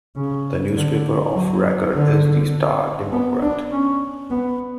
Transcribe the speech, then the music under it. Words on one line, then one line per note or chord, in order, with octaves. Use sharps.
The newspaper of record is The Star Democrat.
C#3
D3
F#3
D3
B3
D4
C#4
B3